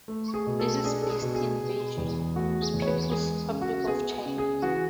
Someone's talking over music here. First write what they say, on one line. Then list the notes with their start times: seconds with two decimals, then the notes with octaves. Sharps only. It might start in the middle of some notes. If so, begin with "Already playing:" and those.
It is based in Beijing, People's Republic of China.
0.08 A3
0.34 G#4
0.47 B2
0.60 A4
0.84 D4 G#4
1.02 A4
1.10 G#4
1.22 B2
1.35 G#4
1.60 B2
1.98 E2
2.36 A3 F#4
2.61 G#4
2.74 E2
2.82 C#5
2.87 B4
3.12 G#3 G#4
3.50 C#3
3.62 F#4
3.87 B3 G#4
4.12 G#4
4.26 C#3
4.38 G#4
4.62 E3 F#4